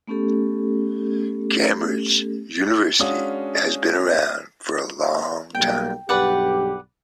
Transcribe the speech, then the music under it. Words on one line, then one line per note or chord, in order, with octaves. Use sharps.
Cambridge university has been around for a long time.
A3 B3 C#4 G4 A4
G#3 C#4 D4 F#4 F5 D#6
B1 G3 A#3 G5
B1 G2 G4 B4 D5 F#5